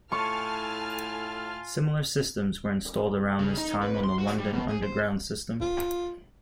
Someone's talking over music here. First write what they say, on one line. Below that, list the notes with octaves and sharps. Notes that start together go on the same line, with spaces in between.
Similar systems were installed around this time on the London Underground system.
A2 F4 G#5 A5 C#6 F6
C#3
D#4
B4
C6
F#4
G3
B2
G#4
C5
F4